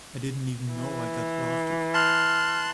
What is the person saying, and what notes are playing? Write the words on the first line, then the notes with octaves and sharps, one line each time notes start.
I didn't even know I got drafted.
E3
A5 C6 F6 F#6